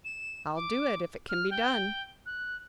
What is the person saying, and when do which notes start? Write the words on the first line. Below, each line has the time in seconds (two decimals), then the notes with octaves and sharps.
"I'll do it--if it can be done."
0.05 E7
0.55 D6
1.29 F6
1.51 G5
2.26 F#6